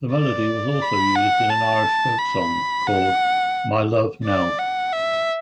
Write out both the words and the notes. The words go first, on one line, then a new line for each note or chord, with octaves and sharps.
The melody was also used in an Irish folk song called "My Love Nell".
D5
B5
F#5
A5
B5
F#5
D5
F#5
E5